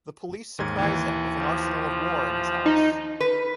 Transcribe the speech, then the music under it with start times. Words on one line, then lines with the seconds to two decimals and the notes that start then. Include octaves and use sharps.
The police surprise him with an arsenal of war in his house.
0.59 D#2 G#2 G#6
0.78 D#2 E3
1.36 F3
2.66 D#4
3.20 B4